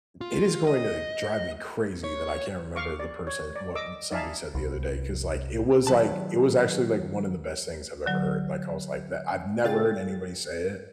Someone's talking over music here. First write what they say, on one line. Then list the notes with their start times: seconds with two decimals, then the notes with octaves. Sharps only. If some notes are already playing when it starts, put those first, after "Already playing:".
It is going to drive me crazy that I can't remember the person what somebody said the other day, 'cause like it was like it was actually like one of the best things I've ever heard, like, I was like that I've never heard anybody say it
0.21 F4
0.67 D#5
2.04 C#5
2.75 F5 C#6 D6
3.00 D5
3.27 C#5
3.56 D5
3.75 D#5 D6 E6
4.11 D#4 D5 E5 F5 G#5 A5
4.55 C2
5.87 D#3 F#3 B4 A5
8.06 D3 F#3
9.64 C#3 F4 G#4 G5 A6